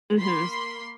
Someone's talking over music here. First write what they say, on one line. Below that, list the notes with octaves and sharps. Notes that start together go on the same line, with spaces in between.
Mhm. S
A#3 B5 C6